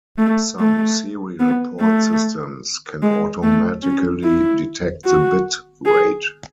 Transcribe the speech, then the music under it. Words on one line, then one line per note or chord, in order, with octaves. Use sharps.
Some serial port systems can automatically detect the bit rate.
A3
A3
B3
A3
G#3
A3
C#4
E4
F#4
G#4